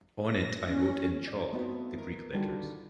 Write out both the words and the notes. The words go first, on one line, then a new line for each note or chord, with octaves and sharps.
On it I wrote in chalk the Greek letters.
A#6
C#4
D5
A3 B3 C4 D#4 F4 F#4
A#4
D3 D#3 G3 D4 F4 F#4